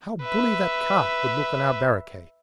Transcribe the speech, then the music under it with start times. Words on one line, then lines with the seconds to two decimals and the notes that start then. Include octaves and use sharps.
"How bully that cart would look on our barricade!"
0.22 B4 E5